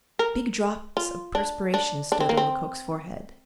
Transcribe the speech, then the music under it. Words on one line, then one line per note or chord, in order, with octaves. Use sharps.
Big drops of perspiration stood on Lecoq's forehead.
A#4
F4
D4
D4
D4
C4
A#3
C4